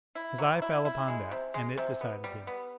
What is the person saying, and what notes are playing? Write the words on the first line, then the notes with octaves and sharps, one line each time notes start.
His eye fell upon that, and it decided him.
E4
F#3
E4
E4
G#3
C3
G#3
C3
B3
G3
B3